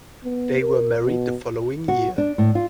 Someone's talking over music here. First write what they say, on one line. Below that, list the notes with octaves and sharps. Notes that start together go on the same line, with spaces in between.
They were married the following year.
B3
A#4
B2
F#4
D4
A2
F4